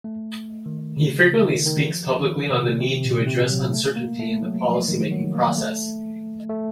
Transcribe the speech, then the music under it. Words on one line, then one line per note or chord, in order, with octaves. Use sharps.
He frequently speaks publicly on the need to address uncertainty in the policy-making process.
A3
D#3
C#3
D#3
D#3
F3
D#3
C3
C3
A#2
C3
F#3
A3
A#3
A3
F#3
F3
D#3
F#3
A#3
A3
A3